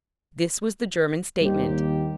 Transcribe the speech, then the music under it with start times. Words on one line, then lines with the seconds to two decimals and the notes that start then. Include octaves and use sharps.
This was the German statement.
1.41 D#2 G3 D#4 G4 C5